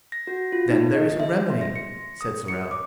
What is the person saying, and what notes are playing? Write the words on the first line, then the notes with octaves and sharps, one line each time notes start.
"Then there is a remedy," said Sorel.
A#6
F#4
F4
D#4
D#5
E5
C6
A#6
C#7
D#6
C#7
D6